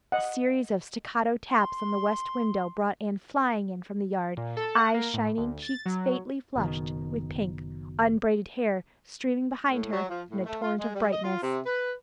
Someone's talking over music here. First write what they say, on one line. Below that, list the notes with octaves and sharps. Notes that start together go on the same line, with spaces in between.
A series of staccato taps on the west window brought Anne flying in from the yard, eyes shining, cheeks faintly flushed with pink, unbraided hair streaming behind her in a torrent of brightness.
D#5 F#5
C6
A#2
A4
F#5
A#3
A2
D2
A6
F#3
F#1 B2 D#3
A2
F#3
F3
A2
A3
F4
G#3
G3
D#5
F4
C3
B4